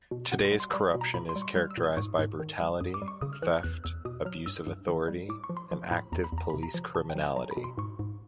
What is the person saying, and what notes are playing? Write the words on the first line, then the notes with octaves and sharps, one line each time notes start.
Today's corruption is characterized by brutality, theft, abuse of authority and active police criminality.
B2
B2 F#5
C6
G3
C6
G3 B5
B2
A#5
A#2 B5
C6
G3
C#6
G3 F6
E6
A#2
D#6
G#2 C#6
G#2
D#3
G3
F#2 D#6
D6
G3
C#6
C#3 D#6
F6
E3 F#6
F6
E2 F#6
E2 E6
B2 D#6
F#3 F6
G2 E6
G2
D#3
G3
A2 D6
C#6
F3
C6
F3 C6
A2 B5
E2 A#5
B5
E2
A#5
C3 B5
A#5
F3
B2 A5
G5
F#3
G#5
F#3 A#5
B5
B2
C6
G#2 C#6
G#2